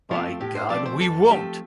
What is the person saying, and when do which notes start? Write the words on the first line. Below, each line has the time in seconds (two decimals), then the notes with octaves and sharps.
By God, we won't!
0.11 F3 A3 C4 F4
0.40 A2 G4
0.55 C5
0.70 F3 A3 C4 D5
0.86 C5
1.00 F2 A4
1.30 F3 A3 C4 G4